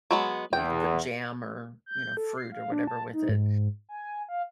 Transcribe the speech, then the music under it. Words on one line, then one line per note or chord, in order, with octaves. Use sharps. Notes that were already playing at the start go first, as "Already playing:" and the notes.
you can put jam or, you know, fruit or whatever with it,
F#3 G#3 B3
E2 G5
G6
A4
C7
F5
D4
A5
D#4
G#2
G#5
F5